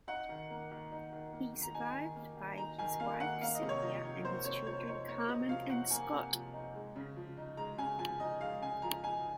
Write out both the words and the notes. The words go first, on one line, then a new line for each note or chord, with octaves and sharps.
He was survived by his wife, Sylvia, and his children Carmen and Scott.
D#4 F#5
D#3
A#3
D#3
D#4
D#3
A#3
D#3
A#5
D#4 G#5
D#3
A#3
D#3
D#4 A#5
D#3 G#5
A#3 F5
D#3 F#5
A#3 F5
D#5
C3
C#5
F3 D#5
D#4
A#3 C5
C3 C#5
F3 C#5
D#4 C#5
A#3 C#5
C3 D#5
F3 F5
D#4 F#5
A#3 G#5
C3
F3
D#4
G#3
C#3
F3
D#4
G#3 A#5
C#3 G#5
F3 G#5
D#4 D#5
G#3 F5
C#3 G#5
F3 A#5
D#4 G#5